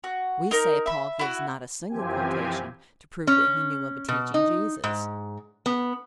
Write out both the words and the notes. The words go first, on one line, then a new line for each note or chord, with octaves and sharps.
We say Paul gives not a single quotation to prove that he knew of a teaching Jesus.
F#4
D#4 A#4
E5 B5
E4 F#4
F#2 E3 F3 C4 G4 G#5
C#4
B2
D#4
G#2
B3